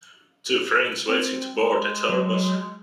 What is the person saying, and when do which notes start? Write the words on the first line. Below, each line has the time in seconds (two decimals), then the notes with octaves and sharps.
Two friends waiting to board the tour bus.
1.08 C4
1.50 G#3
2.09 F#3